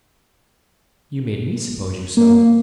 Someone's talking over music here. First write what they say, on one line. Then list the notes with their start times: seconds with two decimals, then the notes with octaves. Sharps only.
'You made me suppose you so.
2.17 A#3